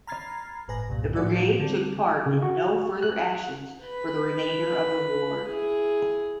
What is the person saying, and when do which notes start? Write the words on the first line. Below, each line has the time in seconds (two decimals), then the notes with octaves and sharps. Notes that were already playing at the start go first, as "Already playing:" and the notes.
The brigade took part in no further actions for the remainder of the war.
0.07 A#5 B5 F6 G#6 A6 C7
0.68 G1 A2 B4 G#5 A#6
0.89 C2 G2 A#2
1.16 A2 F3 F#4 D5
1.59 D3 G3 C4
2.26 C#3
2.42 F#4
3.03 F#6
3.81 B4 B5
5.45 E4 G#4